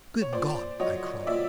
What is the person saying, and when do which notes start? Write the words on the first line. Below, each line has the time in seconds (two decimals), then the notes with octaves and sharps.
"Good God!" I cried.
0.22 C#5
0.33 A#2 C5 D5
0.80 F#3 C#5 D#5
1.27 A#2 D5 E5